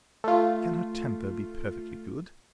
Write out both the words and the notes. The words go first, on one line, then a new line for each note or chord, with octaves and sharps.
Can her temper be perfectly good?
A3 F4